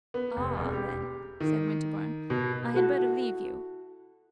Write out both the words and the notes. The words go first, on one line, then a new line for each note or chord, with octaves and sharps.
"Ah, then," said Winterbourne, "I had better leave you."
B3
F1
E1
G4
D#3
B2
E4 F#4 A4